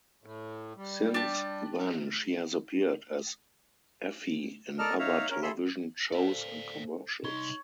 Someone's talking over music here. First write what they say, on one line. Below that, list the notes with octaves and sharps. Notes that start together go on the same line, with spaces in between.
Since then she has appeared as Effie in other television shows and commercials.
A2
G3
D4 G4 A5
A4 A#4 D5 D#5 A5 F6
D#4 C#5 E5 F5 A#5
C#4 A#4
G#4 A4 E5 B5 C6
A4 C5 D5 F5
C2 D#4 C#5 C6